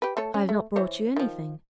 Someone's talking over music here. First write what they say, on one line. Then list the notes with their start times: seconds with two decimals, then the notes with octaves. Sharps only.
'I've not brought you anything.
0.02 G4 B4
0.17 A3 A4 C#5
0.34 C#4
0.49 A3
0.76 E3 C5 C#5
1.16 D#3 F3